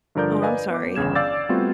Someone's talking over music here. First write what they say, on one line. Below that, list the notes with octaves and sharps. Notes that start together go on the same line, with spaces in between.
Oh, I'm sorry.
G2 D3 F3 A#4 D5 G6
B4 D5 D#5 F5 G#5
B3 D6
G1 E2 C#3 G#6 E7
D5 F5 D6 E6 G6 A6
G3 A3 B3 C4 F4 F#4